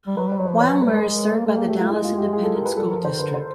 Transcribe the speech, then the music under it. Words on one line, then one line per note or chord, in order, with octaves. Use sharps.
Wilmer is served by the Dallas Independent School District.
G3
F#3 B4
G3 C5
F#3 C#5
F3 C5
E3 C#5
F#3
G3 B4
G#3 A#4
A#3
A3 A4
A#3 G#4
A3 G4
A3 F4
G#3 E4
F4
G4
G#4
A4
A#4
B4
G3 A4
F#3 A#4
F3
D#3 C5
D3 B4
C5